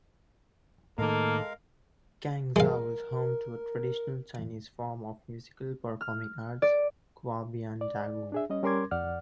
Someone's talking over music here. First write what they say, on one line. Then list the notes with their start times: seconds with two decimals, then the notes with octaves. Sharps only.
Cangzhou is home to a traditional Chinese form of musical performing arts, Kuaiban Dagu.
0.98 A2 D#3 G#3 A#3 A4 A#4 F5
2.56 G#3 A#4 F5
6.01 F6
6.62 D5
7.81 D5
8.32 D4 G#4 E5
8.50 G3 C#4 D#5
8.63 G3 C#4 A#4 C6 D6 G#6
8.91 F2 D5 F#5 F6